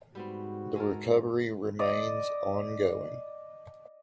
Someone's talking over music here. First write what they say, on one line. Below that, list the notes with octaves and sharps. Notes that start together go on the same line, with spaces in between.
The recovery remains ongoing.
G#2 G3 B3 C4 F#4
G#3 A4 A#4
D5 D#5